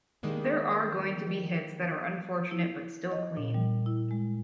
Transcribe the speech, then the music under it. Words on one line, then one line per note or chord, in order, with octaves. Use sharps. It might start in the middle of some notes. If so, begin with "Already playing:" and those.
There are going to be hits that are unfortunate but still clean.
D#3 G3 G#3 A#3 D4
E4
D#5
A#2
G3
E4
G#3